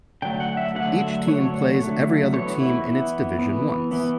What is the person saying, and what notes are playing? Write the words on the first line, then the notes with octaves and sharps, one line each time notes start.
Each team plays every other team in its division once.
D3 F#3 A3 G5
F#5
E5
D3 F#3 A3 F#5
E5
D3 F#3 A3 C#5
D3 F#3 A3
E3 B3 C#5
E4
E3 B3
E3 B3
E3 B3